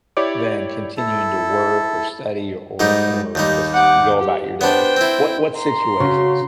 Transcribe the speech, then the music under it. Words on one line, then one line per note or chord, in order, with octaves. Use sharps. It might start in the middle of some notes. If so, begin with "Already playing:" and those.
than continuing to work or study or or just go about your day? What what situations?
E4 G4 C#5 D5 D6
E4 A4
G#2 G3 D#4
D#2 G3 D#4
F#5 D6
G4
B3 D4 C5 G5
C4 E4
A#5 C6
C#3 F#4